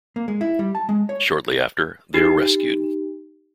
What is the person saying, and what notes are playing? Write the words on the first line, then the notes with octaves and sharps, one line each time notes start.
Shortly after, they are rescued.
A#3
G#3
E4
G3
A5
G#3
C#5
D#4 G4